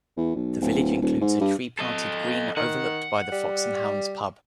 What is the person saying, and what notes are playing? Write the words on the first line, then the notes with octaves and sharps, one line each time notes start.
The village includes a tree-planted green overlooked by the Fox and Hounds pub.
E2
B1
D1
D#1
G#2
G2
A4 D#5
D#3 F#5
G3